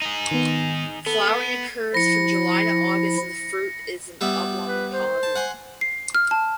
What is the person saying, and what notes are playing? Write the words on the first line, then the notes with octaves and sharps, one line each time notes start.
Flowering occurs from July to August and the fruit is an oblong pod long.
D#4 G#4
D#3 B3
B3 A4
F3 E4 A#6 C#7
G3 B3 E5
B4
C5
A5
F#5 G#5 C6
C7
F6
A5